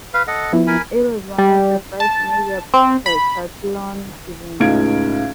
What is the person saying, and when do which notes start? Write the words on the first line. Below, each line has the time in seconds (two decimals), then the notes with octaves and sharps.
It was one of the five major Pentathlon events.
0.14 B4 F5
0.28 A4 D#5 F#5
0.53 F3 B3 E4
0.67 A#4 G#5 B5
1.38 G3
2.00 A5
2.74 C4
3.06 B5
4.60 C#2 A2 D#4 F5 G#6 D7